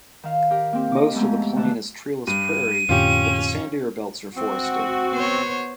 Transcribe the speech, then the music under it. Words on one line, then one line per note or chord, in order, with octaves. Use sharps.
Most of the plain is treeless prairie, but the sandier belts are forested.
D#3 F5
G4 A#4
A#3 C4 G4
D#5 D6
F2 G#3 A3 B3 G4 A#5
D3 D#3 A3 D4 A5 F#6
G2 D#7
F2 A2 D3 C#4 F4 G4
C4 F#4
B3 C5 C#5